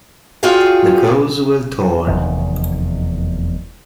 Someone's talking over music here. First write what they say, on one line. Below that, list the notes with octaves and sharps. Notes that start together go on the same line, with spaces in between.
The clothes were torn.
F4 F#4 G#4 D5 F5 G5
F1 E2 C3 D#3